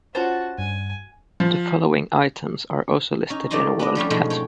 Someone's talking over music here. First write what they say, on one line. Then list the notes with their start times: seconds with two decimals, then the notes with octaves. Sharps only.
The following items are also listed in WorldCat.
0.15 C#4 F4 F#4 C5 A5 A6
0.58 G2 G#5
1.40 F3
3.30 C#4 D#4
3.50 C#3 A3 D#4 D5 D#5 C6
3.79 B3 D4 D#5
3.95 F3 G3 A3 C#4
4.10 G#2 B2 F3 G#3 A3
4.30 C#5 G5